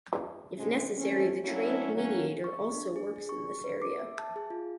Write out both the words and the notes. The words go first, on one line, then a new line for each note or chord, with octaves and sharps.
If necessary, the trained mediator also works in this area.
G#2 C3 E3 G#3 A3 C#4
E3 A3 C4 C#4
F#3 A3 A#3 C#4 D4 E4
D#3 F#3 A#3 C#4 E4 A4
C#6
D4
G#4
G#4
C#6
B4
D6
E5
A5
G#4
F4